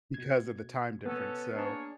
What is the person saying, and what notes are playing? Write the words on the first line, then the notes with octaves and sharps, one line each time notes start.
because of the time difference, so,
B2 G#6
B3 C#4 A4
A#3 D4 G#4 C#5 A5